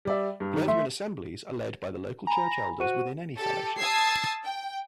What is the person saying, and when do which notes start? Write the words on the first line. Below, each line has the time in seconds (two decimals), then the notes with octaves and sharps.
Brethren assemblies are led by the local church elders within any fellowship.
0.05 G3 D5 E5
0.40 G2
0.53 D#3 G3 D#4
0.68 A3 E5 C6
2.27 G#5 A#5 B5
2.80 F#4 C5 F#5 D#7
3.38 G4 A4
3.77 A5 D#6 E6 G#6 C7
4.44 G5